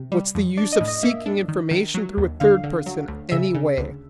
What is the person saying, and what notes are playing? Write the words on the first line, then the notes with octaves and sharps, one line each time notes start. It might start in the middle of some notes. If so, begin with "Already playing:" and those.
What's the use of seeking information through a third person, anyway?
Already playing: C3
G3
F2
D4 D5
D#5
A2
D#5
A#3 E5
D4
D#3
D#3
F#3
D#2
D3 F5
D3
F#3
D2
C#3 E5
C#3
D2